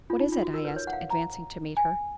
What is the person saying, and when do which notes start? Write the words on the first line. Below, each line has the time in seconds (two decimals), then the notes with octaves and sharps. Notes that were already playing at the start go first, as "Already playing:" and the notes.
"What is it?" I asked, advancing to meet her.
0.10 F4
0.20 D#4
0.32 F4
0.42 F#4
0.54 A#4
0.65 B4
0.76 C#5
0.87 F#5
0.93 F5
1.10 A#5
1.77 G#5